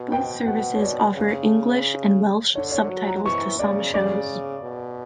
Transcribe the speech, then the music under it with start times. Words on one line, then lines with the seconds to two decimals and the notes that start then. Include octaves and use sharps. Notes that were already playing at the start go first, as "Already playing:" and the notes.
Both services offer English and Welsh subtitles to some shows.
Already playing: B2
0.12 G5
0.46 B2 F#5
0.75 C#5
0.82 D5
1.16 C#3
2.55 D3 C#5
2.72 C#5
2.90 F#3
3.07 A#5
3.24 E3 C#6
3.59 C#3 D5
3.94 C#3 D5
4.64 B2